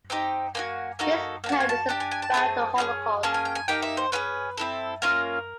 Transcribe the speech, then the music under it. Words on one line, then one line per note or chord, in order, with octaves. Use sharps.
This poem is about the Holocaust.
C4 D#4 G4 G5
A#3 D4 F#4 G#5
A#3 D#4 F#4 A4
A#3 D4
F#4 A5
G#5
A5
D4 G4 A5
G#5
G#5
A5
A3 C4 F4 G#4
C#4 E4 G#4
A#3 C#4 G#4 A5
G#5
G5
G#5
A#3 D#4 G4 G5
E5
C5
C#4 F4 G#4 B4
C4 E4 A4
A#3 C#4 F4 A#4